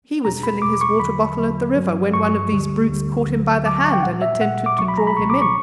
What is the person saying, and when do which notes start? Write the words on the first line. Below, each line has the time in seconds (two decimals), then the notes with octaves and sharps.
He was filling his water bottle at the river, when one of these brutes caught him by the hand and attempted to draw him in.
0.25 E2 B2 G3 A#5
0.43 B5
0.62 E2 B2 G3 D6
0.81 C#6
1.00 E2 D3 F#3 B5
1.38 E2 D3 F#3
1.75 G2 F#3
2.14 G2 F#3 C#6
2.51 D2 D3 G3
2.89 D2 D3 G3
3.28 D2 D3 F#3
3.65 D2 D3 F#3 D6
3.84 C#6
3.93 G5
4.03 A#2 G3 F#5
4.22 E5
4.41 A#2 F#5
4.45 G3
4.66 D6
4.79 C#2 B2 F#3 C#6
4.88 B5
4.98 A#5
5.07 B5
5.17 C#2 B2 F#3 C#6
5.30 D6
5.42 C#6